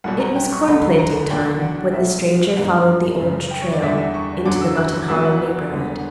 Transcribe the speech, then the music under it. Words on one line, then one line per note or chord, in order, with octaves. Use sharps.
It was corn-planting time, when the stranger followed the Old Trail into the Mutton Hollow neighborhood.
B1 B2 G3 F#5
A#5
G5
C#6
E1 D2 D3 B5
A#5
B1 B2 A#3 D4 G5
F#5
F#5
B1 B2 G3 E5
G1 F#2 E3 A#3 F#5
F#1 F#2 C#3
G5
C#5
D5
E2 D3 G3 E5
E5
C#6
F#2 D3 F#3 D6
E6
F#6
F#6
A#1 A#2 F#3 B3 E4 E6
F#6
E1 E2 D3 G3 B3